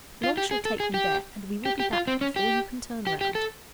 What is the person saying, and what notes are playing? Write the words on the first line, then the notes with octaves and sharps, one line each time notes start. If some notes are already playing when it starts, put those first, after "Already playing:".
Long shall take me there, and we will be back before you can turn round.'
F4
G4
G#4
A4
G#4
G4
G4
G4
F4
C4
C#4
G4
G4
G4
A4